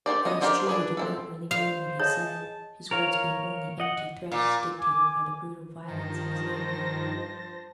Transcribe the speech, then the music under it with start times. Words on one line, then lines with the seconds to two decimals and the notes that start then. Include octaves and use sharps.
It is true he did not really mean what he said, his words being only empty threats dictated by the brutal violence of his anger.
0.06 D4 G4 C5 D5
0.25 B3 C#4 D#5
0.41 D4 G4 A#4 C5 D5
0.67 D4 G#4 B4
0.97 C4 E4 A4
1.51 C5 F5
2.00 G#4 C#5 D#5 A5
2.91 A#4 C#5 F5
3.80 D#5 F#5
4.32 A#2
4.79 G#5 D6
5.88 G2 D#3 F3 C5 A5 A#6